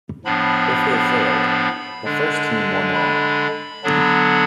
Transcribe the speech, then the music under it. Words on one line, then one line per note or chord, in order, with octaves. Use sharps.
If they failed, the first team won the round.
A2 F3 B3 D4 B5
D3 G#3 D4
B5
D3 F#3 B3 D4